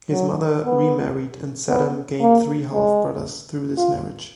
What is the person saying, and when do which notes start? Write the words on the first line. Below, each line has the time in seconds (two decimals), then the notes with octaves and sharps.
His mother remarried, and Saddam gained three half-brothers through this marriage.
0.12 F#3
0.64 B3
1.68 B3
2.20 A#3
2.73 G#3
3.77 F4